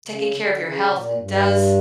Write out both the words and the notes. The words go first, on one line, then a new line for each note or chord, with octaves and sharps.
taking care of your health does
C#3
D3
C#3
A#2
G2